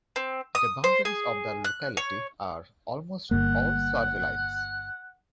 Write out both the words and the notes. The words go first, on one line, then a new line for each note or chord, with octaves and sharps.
The boundaries of the locality are almost all survey lines.
C4
D#6
C5
G#4
F#6
C#5
G1 G2 A#3 F#5